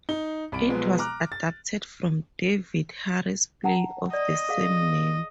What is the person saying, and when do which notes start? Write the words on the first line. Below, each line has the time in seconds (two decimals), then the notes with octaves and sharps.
It was adapted from David Hare's play of the same name.
0.09 D#4 G7
0.52 C2 B5 D7
0.69 B2 F3 F#3 G#3 B3
0.99 A#5 D6 F6 F#6
1.32 A6
3.64 F#5 A5 A#5
4.13 D5 D#5
4.49 G#4 F5